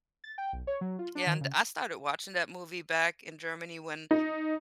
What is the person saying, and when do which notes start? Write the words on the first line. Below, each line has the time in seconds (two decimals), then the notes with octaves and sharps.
Yeah, and I started watching that movie back in Germany when,
0.24 A6
0.38 G5
0.53 B1
0.67 C#5
0.81 F#3
0.99 F4
1.15 D4
1.27 D#3
1.41 C#3
4.11 D#4